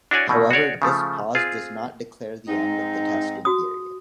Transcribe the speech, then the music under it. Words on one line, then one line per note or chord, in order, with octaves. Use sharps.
However, this pause does not declare the end of the testing period.
D4 E4 F#4 C#5 D5 G#5
B2 D#3 A3 A#3
F#4 G#4 C#5 D5
C#3 F3 A3
C4 F4 G#4
G#2 C4 D#4
F#4 D#6